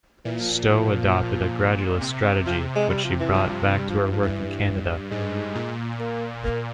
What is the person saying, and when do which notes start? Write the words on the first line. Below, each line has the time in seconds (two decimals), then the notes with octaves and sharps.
Stowe adopted a gradualist strategy which she brought back to her work in Canada.
0.25 A#2 E3
0.40 F3
0.55 F3
0.69 F3
2.01 C3
2.46 C3 F3
2.75 G#3
2.90 G3
3.04 F3
3.20 E3
3.30 G3
3.34 G2 F3
3.49 F3
3.63 F3
3.78 G3
3.90 F3
4.00 E3
4.12 F3
4.23 G2 E3
5.10 G#2 G#3
5.55 A#2
5.99 A#3
6.44 A#3